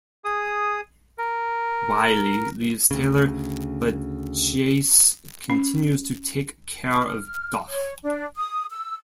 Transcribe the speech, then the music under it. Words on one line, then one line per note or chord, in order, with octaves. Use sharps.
Wylie leaves Taylor, but Jase continues to take care of Duff.
G#4 D#6
A#4
D2 C#3
C#4
F6
C#5
D4
D#6
E6